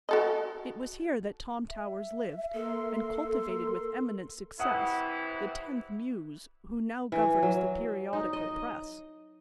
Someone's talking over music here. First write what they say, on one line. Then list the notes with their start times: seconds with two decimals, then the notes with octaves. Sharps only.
It was here that Tom Towers lived, and cultivated with eminent success the tenth Muse who now governs the periodical press.
0.09 F#4 A4 D#5
1.69 E5
2.54 A#3 A4 A#4 C6
4.60 C3 E3 E4 F#5 D#6
7.12 E3
7.43 F#3
8.13 D#4
8.33 D#5